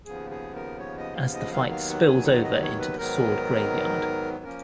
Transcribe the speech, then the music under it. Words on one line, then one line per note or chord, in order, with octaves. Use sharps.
As the fight spills over into the Sword Graveyard.
D#2 C#3 F3 B3 G#4
G#4
A#4
C#5
D#5
F5
D#5
D#2 D#3 F#3 B3 F5
F5
F#5
G#5
F#5
D#5
C#5
B4
G#2 D#3 F#3 B3 A#4
F3 A#3 C#4 A#4